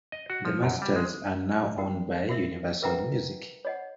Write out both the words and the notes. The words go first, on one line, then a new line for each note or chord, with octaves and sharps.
The masters are now owned by Universal Music.
D#5
F#4
F3
F#2
G3
G#3
F#4 A#4 G5
F#4 A#4 E5
A#4 B4 E5 F#5 G5 A#5
C#5 D#5 F#5